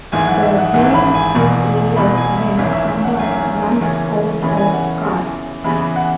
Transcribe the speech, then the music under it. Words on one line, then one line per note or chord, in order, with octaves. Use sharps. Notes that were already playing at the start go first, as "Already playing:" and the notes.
The game is over when someone runs out of cards.
G#1 G#2 E3 G#5
F#5
E5
F#5
G#1 G#2 E3 F#5
B5
G#5
E1 E2 B2
E1 E2 B2 B5
G#5
E5
G#1 F#2 E3 C#4 E5
E5
E5
F#5
G#1 F#2 E3 C#4 G#5
F#1 E2 C#3 E3 C#4
F#1 E2 C#3 E3 C#4 B5
G#5
F#5
E2 C#3 E3
E2 C#3 E3 B5
B5
F#5